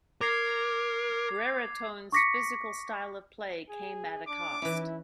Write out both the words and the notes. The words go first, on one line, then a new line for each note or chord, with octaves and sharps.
Brereton's physical style of play came at a cost.
A#4 D6 G#6 C7
C#6 D6 A#6 B6 C#7
G#4
D4 D6
E3 C#4 E4